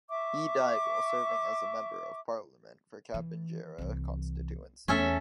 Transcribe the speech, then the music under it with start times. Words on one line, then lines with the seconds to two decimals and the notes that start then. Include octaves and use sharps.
He died while serving as the member of parliament for Kapenguria Constituency.
0.09 E5 C#6 D6
3.14 E3
3.78 C2 E3
4.88 E2 A3 C#4 A4 E5